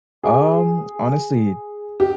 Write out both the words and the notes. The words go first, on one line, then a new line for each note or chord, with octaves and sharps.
Um, honestly
G#4
G4